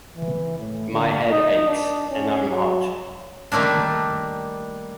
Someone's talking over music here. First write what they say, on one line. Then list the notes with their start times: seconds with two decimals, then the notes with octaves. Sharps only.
My head aches, and I'm hot.
0.17 E3
0.59 A2
0.92 D3
1.30 D#4
1.67 D4
2.11 C#4
2.49 F#3
3.52 D#3 G3 A3 A#3 D4